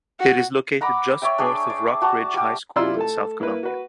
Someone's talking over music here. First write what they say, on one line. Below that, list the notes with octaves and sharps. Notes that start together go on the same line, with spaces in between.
It is located just north of Rock Bridge High School in South Columbia.
F#4
F#5 A#5 B5 D6
C#5 D5 E5 G5
D4 G#4 C#5 G5
D5
F#4 A5 A#5
G3 G4
C3 E4 F4 D5 C6 E6
A3 A4 A5
A#3 E4 A#4 B4
F#4 B4